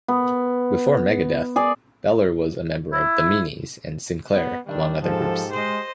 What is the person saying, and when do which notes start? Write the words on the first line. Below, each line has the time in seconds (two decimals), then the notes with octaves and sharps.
Before Megadeth, Behler was a member of The Meanies and Sinclair, among other groups.
0.08 B3
1.56 G#4 D5
2.93 E4
4.34 B3
4.67 D#3 G3 D4
5.02 G#2 F3 G4 A4
5.53 G#3 C5 D#5